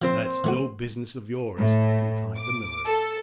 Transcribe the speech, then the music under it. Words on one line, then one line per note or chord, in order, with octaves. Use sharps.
"That's no business of yours," replied the miller.
A#2 F3 C4 C5
E3 A3 F#4
A2
D6
A4